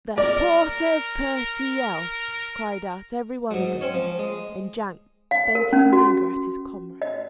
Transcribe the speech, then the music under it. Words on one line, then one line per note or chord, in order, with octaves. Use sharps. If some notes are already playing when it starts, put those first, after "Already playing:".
"The porter's purty health!" cried out every one of them, and Jack bent his finger at his comrades.
A#4 D5
G#2 F#3
C4 C#4 C#5
F3
G#3
F5
A#4
C#4
F#4
D#5